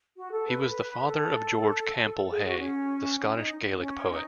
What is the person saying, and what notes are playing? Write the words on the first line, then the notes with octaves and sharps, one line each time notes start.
He was the father of George Campbell Hay, the Scottish Gaelic poet.
F#4
A4
B4
A4
G#4
F#4
C#4
C#4
D#4
C#4
D#4